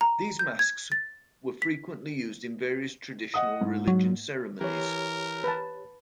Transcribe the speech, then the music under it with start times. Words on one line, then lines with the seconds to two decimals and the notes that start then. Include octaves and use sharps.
These masks were frequently used in various Traditional Religion ceremonies.
0.01 A#5
0.39 G6
0.59 G#6
0.92 A6
1.62 B6
3.34 D#5 F#5 D#6
3.61 G#2
3.88 F#3
4.61 E3 G4 A#4 C#5
5.44 B4 A5